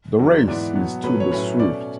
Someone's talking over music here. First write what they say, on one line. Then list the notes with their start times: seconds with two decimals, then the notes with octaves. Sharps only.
The race is to the swift.
0.19 E2 D3 F#3
0.48 G#2 E3 B3 D5
0.75 B2 F#3 B3
1.04 B2 F#3 A3 C#4 B4
1.20 C#5
1.32 A2 F#3 A3 C#4 B4
1.59 B2 A3 C#4 D5